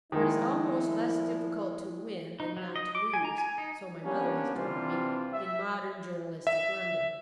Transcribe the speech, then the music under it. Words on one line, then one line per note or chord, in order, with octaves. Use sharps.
For it is almost less difficult to win than not to lose, so my mother has told me, in modern journalistic London.
A#2 D#3 F3 G#3 E4
D#4
F#3
D#5
D6
G#5
A#5
G#5
D#4
G3 A#3 B3 C#4 D4 G4
C3 E3 G3 C4 D4 F4
E5
E5